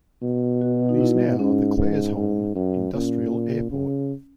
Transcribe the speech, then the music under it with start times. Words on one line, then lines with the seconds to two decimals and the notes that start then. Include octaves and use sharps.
It is now the Claresholm Industrial Airport.
0.22 B2
0.61 F#4
0.89 D#4
1.01 E4
1.39 G#2 C#4
1.77 G#2
2.17 G#2
2.55 F#2
2.94 A#2 C#4
3.72 C#3